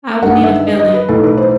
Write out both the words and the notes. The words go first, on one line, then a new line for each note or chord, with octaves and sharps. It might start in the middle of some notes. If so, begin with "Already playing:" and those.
I will need a filling.
G1 G2 D#3 F#5
E5
D#5
D#5
B4
B1 A2 E3 A4
B4
C5